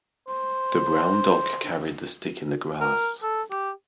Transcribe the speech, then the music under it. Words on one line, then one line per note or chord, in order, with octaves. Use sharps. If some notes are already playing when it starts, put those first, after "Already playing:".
The brown dog carried the stick in the grass.
C5
A#4
A4
G4